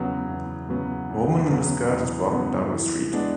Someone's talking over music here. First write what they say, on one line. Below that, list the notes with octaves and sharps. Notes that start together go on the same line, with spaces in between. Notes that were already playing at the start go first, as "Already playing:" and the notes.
A woman in a skirt is walking down the street.
Already playing: E2 C#3 F#3 B3
E2
C#3 F#3 B3
E2
C#3 F#3 B3
E2
C#3 F#3 B3
E3
G#3 B3 D4